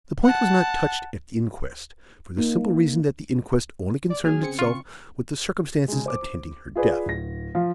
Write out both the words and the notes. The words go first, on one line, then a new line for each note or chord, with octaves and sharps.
The point was not touched at the inquest, for the simple reason that the inquest only concerned itself with the circumstances attending her death.
F#5 A5
A#3 D#4
D5
D#2 F#3 G#4 F6
C#3 C4 C#7
F4 C#6
C#3 G#3
C5 D6
F4 G#4 B4 D5
D1 A#6
F3 F5